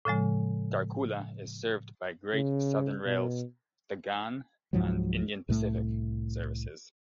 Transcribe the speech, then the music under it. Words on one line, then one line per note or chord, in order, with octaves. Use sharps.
Tarcoola is served by Great Southern Rail's "The Ghan" and "Indian Pacific" services.
A2 C#3 F3 G#3
C#3
B2
C#2 G#2 F3 F#3
C2 A2 A3